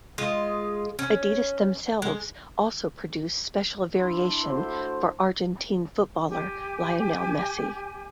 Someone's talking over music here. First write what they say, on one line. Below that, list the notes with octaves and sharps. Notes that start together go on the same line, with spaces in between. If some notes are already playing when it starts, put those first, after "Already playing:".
Adidas themselves also produce special variation for Argentine Footballer Lionel Messi.
G#3 F4 D#5
C#4
G#3
D4 E4 C6
A3 F#4 C5
G4 G#5